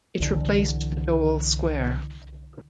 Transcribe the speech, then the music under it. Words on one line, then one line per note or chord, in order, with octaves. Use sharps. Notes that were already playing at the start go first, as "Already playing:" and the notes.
It replaced the Doel Square.
C2 D3 E3